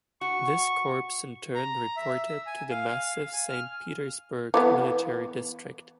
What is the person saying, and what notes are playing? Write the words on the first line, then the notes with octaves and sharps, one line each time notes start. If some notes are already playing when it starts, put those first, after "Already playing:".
This corps in turn reported to the massive Saint Petersburg Military District.
F#4 C#6
A#5
E5
E6
G#5
F5
G#5
F6
E3 F#3 B3